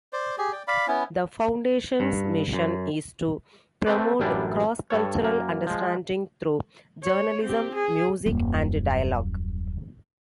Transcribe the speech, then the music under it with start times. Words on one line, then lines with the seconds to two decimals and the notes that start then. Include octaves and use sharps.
The foundation's mission is to promote cross-cultural understanding through journalism, music, and dialogue.
0.13 C5 D5
0.38 G4 G#4
0.52 D5 G5
0.68 D5 F5 B5
0.88 B3 C#4 E4
2.00 G2
2.53 F#2
3.86 A3 C4 B4 D5
4.20 A1 F#2 G3 D4 E4
4.90 G2 A4 C#5
5.21 F#2 A#3
5.67 F3 G#3
7.04 C#5
7.43 C4 G4
7.75 G#4
8.26 D#1 F#2